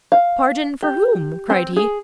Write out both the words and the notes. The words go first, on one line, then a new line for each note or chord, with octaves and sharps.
"Pardon for whom?" cried he.
F5
G4
C4
G#4